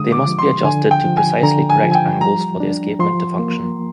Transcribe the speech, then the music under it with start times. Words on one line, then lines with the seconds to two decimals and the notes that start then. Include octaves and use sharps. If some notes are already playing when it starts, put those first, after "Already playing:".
They must be adjusted to precisely correct angles for the escapement to function.
Already playing: D3 G#3 D#6
0.12 D6
0.26 F3
0.39 C6
0.65 D3 G#5
0.91 G5
1.04 F3
1.17 G#5
1.43 D3 A#5
1.70 G#5
1.83 F3
1.91 G#5
1.95 G5
2.21 G3 A#5
2.60 D4
3.00 F3 C6
3.39 A#3